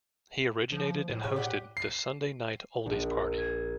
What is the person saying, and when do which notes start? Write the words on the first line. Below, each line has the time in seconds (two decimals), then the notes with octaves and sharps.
He originated and hosted "The Sunday Night Oldies Party".
0.72 F3
1.10 A2
1.23 C#3 C#5
1.36 G4 D5 F#5
1.77 C7
2.86 A#1
3.38 G#6